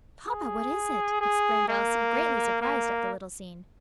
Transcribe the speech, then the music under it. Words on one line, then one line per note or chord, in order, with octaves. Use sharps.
"Papa! what is it?" exclaimed Elsie, greatly surprised at the little scene.
G#4
G#4
A#3
A#3